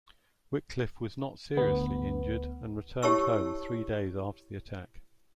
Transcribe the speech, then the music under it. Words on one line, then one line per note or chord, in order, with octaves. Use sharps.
Wickliffe was not seriously injured, and returned home three days after the attack.
D2 B3
E4 G4 C#5 A5 C#6 E6